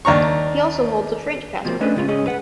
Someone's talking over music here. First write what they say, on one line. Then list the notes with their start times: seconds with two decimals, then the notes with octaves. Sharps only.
He also holds a French passport.
0.05 D#2 D4 A#5 C#6
1.65 B2 F3 A3 A#3 C4
1.81 A3 C#4 D4 B4 D#5
1.95 A2 C#3 G#3 F4
2.08 C#2 G#2 C#4 G#4 D#5
2.27 B4 F#5